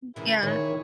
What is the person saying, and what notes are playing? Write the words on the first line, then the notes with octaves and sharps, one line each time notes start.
Hmm, yeah.
C#3 E3 E4 G#4 A#4
A#2 D#3 C#5